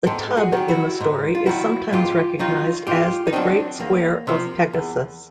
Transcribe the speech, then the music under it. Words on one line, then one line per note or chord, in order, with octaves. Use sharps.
The tub in the story is sometimes recognized as the Great Square of Pegasus.
G#2 G4 A4
F#4 G#4
D#3 F#3 G4
E4 F#4
G#2
F4
D#3 F#3 E4 F#4
G#2 F4 G4
D#3 F#3 D#4 F4
G#2 F4 G4
D#4
D#3 F#3 C4 D4
E2 A#3
C3 F3
E2